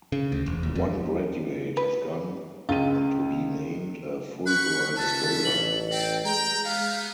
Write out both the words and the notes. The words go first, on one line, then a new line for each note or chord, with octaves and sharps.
One graduate has gone on to be named a Fulbright Scholar.
C#3
D2
E1
D#2
F2
B4
C#2 F4 D#7
F#5 B5 C#6 F#6
C#2 C#4 E5 A5
A1 F#7
C4 A4 G5
G#3 G5 A#5
A3 B3 F5